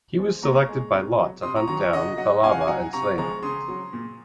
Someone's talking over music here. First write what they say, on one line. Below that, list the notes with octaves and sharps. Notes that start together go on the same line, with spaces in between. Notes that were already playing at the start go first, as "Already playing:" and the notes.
He was selected by lot to hunt down Thal'aba and slay him.
F3 G#3
A#2 A#5 C#6
G#3
C3
F#3
C3 C6 D#6
A#5 C#6
D#3 F#3 A#5 C#6
A#5 C#6
C#3 D#5 F#5
F#3 D#5 F#5
C3 F5 G#5
F#5
G#5
F#3 F#5 A#5
C3 A#5 C#6
F3 G#3 A#5 C#6
C#3 C6 D#6
F#3
A#2